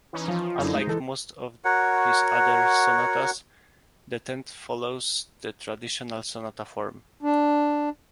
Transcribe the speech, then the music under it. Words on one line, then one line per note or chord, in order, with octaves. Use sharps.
Unlike most of his other sonatas, the tenth follows the traditional sonata form.
E3 C#4 D#4
F3 F4
F#2 D#4 E4 C5
G#3 G#4
E3 A4
F#4 A#4 C#5 F#5
D4